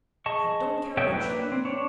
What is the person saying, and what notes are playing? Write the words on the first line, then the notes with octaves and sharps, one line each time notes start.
I don't care which.
G#4 D#5 A5 C#6
A4 C#5 D#5 E5 G5
A#3 D4 B4
C4
D4 C#5